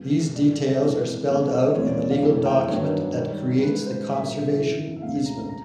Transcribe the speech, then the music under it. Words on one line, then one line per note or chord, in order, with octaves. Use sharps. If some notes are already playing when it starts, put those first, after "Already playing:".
These details are spelled out in the legal document that creates the conservation easement.
Already playing: F#2 C#3 F3 G#3 B3
F#2 D3 G3 D5
F2 C3 E3 G#3 B3
F1 F2 C3 D#3 G3 C#5
C5
E2 C#3 F3 G#3 C4 C#5
D5
F5
F#1 F2 C3 E3 A3
G5
G2 D#3 F#3 B3 D4 C#5
G#2 D#3 G3
G#2 F3 G#3 C#4 B4
C5
B1 A#2 G3 A#3 E5
G#1 F#2 C#3 E3
E5
D2 C3 F3 G#3 C#4 F5
A#5
A#5